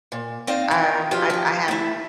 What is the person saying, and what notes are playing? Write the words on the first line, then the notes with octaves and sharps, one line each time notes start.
Um, I I haven't
A#2
C4 D#4 D5 F5
D#3 F4
F3 F#3 B3 D4 F4 G4
F3 G4
A3 E4